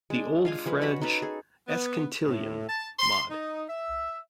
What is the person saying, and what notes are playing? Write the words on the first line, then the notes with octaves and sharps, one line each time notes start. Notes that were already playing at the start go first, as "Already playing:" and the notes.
The Old French "escantillon", mod.
G#3 D4
F4 F5 G#5
F3 G#3 B4
C#4 F#4 F#5 B5
D#4 F#4 A4 B4
G#4 A4
B3
A2
A5
C6
D#4
E5